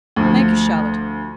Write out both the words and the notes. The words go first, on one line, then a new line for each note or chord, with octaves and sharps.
'Thank you, Charlotte.
D2 F3